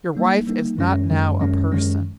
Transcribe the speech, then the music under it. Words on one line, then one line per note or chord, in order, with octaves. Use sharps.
Your wife is not now a person.
G3 A#3 D#4
G3 A#3 D#4
F#2 D#3 G#3 C#4
F#2 D#3 G#3 C#4
F#2 D#3 G#3 C#4
F#2 D#3 G#3 C#4